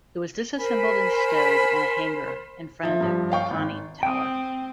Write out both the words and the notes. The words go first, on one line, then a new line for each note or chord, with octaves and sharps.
It was disassembled and stowed in a hangar in front of the conning tower.
A#4 C5 G#5 B5
F3 E5
G2 F3
C#5 F5 G5 C#6
G#1
C4 G5 D#6